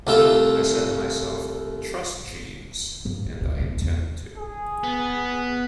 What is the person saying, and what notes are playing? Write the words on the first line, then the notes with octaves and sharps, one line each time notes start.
I said to myself 'Trust Jeeves,' and I intend to.
C2 A3 F4 E5
G2 F3
A#1 A#3
D2 G#2
B1 F#2
E2 C4
G#4
B3